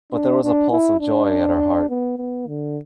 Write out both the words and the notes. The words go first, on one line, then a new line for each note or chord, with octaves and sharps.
But there was a pulse of joy at her heart.
D4
D4
E4
D4
B3
B3
D3